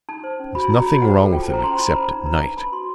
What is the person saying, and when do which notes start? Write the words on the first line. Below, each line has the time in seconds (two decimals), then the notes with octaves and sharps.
There's nothing wrong with him except at night.
0.09 D#4 A5
0.24 C5
0.40 C#4
0.55 F#4 B5
0.70 F#4 A#5
0.86 F#4 B5
1.02 C5 F#5
1.18 A4
1.33 F4 G5
1.43 A5
1.48 C5
1.54 A#5
1.63 C#4 C6
1.74 B5
1.79 E4
1.84 A#5
1.95 C5 B5
2.10 D#4
2.26 B4 A#5
2.41 D4 A5
2.57 B4 B5
2.72 F#4 C6